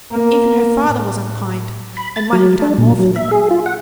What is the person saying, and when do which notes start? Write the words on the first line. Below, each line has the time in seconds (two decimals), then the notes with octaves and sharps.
Even her father was unkind, and might have done more for them.
0.12 A#3
0.87 A2
1.97 B5
2.16 A6
2.33 F#3
2.62 D4
2.78 A#2
2.99 F#3
3.16 E5
3.31 G#4
3.51 F4
3.66 F#5